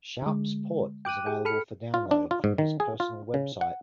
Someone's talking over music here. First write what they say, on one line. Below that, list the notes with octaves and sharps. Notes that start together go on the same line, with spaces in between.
Shoup's port is available for download from his personal website.
D3 G#3
G5 D6 F#6 D#7
G4 G#4 G5
A4 B5 F6 C#7
F4
D4
F4
G#2
D#3
G#4
F4
C#3
F#5